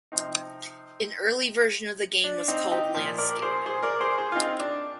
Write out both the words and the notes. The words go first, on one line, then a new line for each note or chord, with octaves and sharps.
An early version of the game was called "Landscape".
C3 F3 C4 D#4
D4
C4 D#4
D#4 G4
A#2 F3
A#4 D5
G#4 C5
G#4 C5
A#4 D5
G#4 C5
G#4 C5
F4
C4 D#4
D4